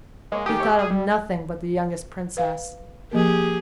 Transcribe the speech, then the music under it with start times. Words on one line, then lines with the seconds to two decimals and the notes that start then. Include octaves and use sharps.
He thought of nothing but the youngest Princess.
0.32 G#3 A#3 C#5
0.46 D#3 G4 G#4 D#6
0.60 C#5 E5
0.79 G#4
0.90 G3
2.37 B4 F5
3.11 F3 A#3 G4 G#4 A#4